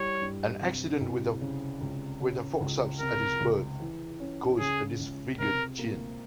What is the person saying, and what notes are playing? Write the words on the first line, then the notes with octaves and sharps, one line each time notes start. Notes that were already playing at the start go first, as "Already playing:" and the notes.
An accident with a forceps at his birth caused a disfigured chin.
Already playing: G3 E4 C#5
G2
C3
C2
C#3
C#2
C#3
C#2
C3 A#4
C#2
E3
C#4
C#3 G#4
C#2
C3 A#4
A#3